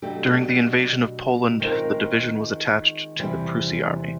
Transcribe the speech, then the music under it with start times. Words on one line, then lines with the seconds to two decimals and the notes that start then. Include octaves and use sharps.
During the Invasion of Poland, the division was attached to the Prusy Army.
0.02 B2 F#3 A3 D4 G4
1.60 D#3 G#3 C4 F4 A#4
3.19 E2 C3 E3 G3